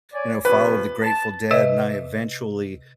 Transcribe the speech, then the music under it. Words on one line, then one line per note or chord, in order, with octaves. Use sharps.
you know, follow the Grateful Dead, and I eventually,
C#5 D5 G#5
C3 F3 C#4 B4
A5
C3 B4 D#5 E5